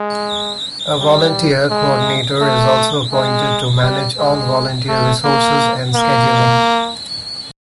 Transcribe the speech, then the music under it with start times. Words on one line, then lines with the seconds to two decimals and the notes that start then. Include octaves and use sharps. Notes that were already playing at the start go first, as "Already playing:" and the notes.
A volunteer coordinator is also appointed to manage all volunteer resources and scheduling.
Already playing: G#3
1.00 G3
1.71 G#3
2.41 A3
3.12 G#3
3.82 G3
4.18 G#3
4.88 A3
5.24 A#3
5.95 A#3